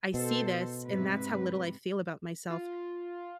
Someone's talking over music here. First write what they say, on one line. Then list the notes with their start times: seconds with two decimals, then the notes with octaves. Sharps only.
I see this," and that's how little I feel about myself
0.14 B2 A4 C5
0.85 G#2 C3 B4
2.50 F4